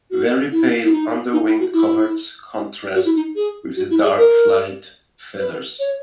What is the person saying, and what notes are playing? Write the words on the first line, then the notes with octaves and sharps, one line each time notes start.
Very pale underwing coverts contrast with the dark flight feathers.
F#4
E4
E4
D#4
D#4
E4
F#4
E4
F#4
E4
D#4
G#4
F#4
E4
G#4
A#4
B4
C#5